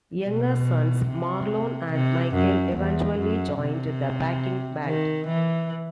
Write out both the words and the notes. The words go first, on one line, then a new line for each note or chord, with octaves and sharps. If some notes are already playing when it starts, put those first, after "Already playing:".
Younger sons Marlon and Michael eventually joined the backing band.
B2
C3
C3
F#2
E2
F#2
C3
D#3
E3